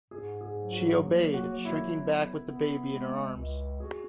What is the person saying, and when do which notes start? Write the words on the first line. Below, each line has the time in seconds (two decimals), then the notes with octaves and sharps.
She obeyed, shrinking back with the baby in her arms.
0.10 G#2 G#4
0.41 G#4
0.57 F#3
0.72 F#4
1.03 A#3
1.34 F#4
1.50 F#3
1.65 E4
1.95 B3
2.41 B3
2.87 G#3
3.33 C#2
3.80 F#4 G#4